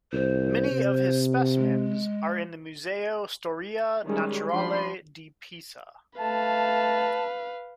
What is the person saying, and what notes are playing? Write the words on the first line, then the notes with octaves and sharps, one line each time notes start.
Many of his specimens are in the Museo storia naturale di Pisa.
C2 C5
C3
G#3
D#3 G3 G#3 C#4
F3 D4 B5 C6
A3 B4 F5 A5